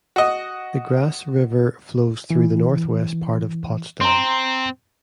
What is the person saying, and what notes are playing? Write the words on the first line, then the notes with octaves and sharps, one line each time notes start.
The Grasse River flows through the northwest part of Potsdam.
F#4 D#5
E3
C4 A#5 C6